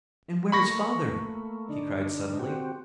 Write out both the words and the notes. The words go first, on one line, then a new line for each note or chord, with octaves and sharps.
"And where is Father?" he cried suddenly.
A3 A#3 B5 C#6 A#6
D3 D4 D#4
C4 F#4 G4